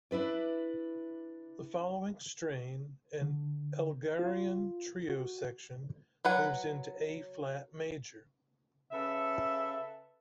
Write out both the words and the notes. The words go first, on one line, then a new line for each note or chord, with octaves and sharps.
The following strain, an Elgarian trio section, moves into A-flat major.
D4 E4 B4 D5
D3
F4
F#4
F#3 B4 F#5
C#3 A4 B4 E5